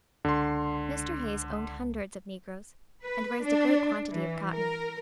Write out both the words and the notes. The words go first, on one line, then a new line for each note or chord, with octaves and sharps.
Mr. Hayes owned hundreds of negroes, and raised a great quantity of cotton.
C#2 D3 C6
B4
D4
E3
A#4